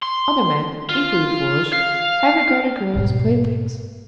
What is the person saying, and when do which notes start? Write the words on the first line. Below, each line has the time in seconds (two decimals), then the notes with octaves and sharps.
Other men, equally foolish, have regarded girls as playthings.
0.03 C6
0.89 F4
1.73 F5
2.94 G#2 B2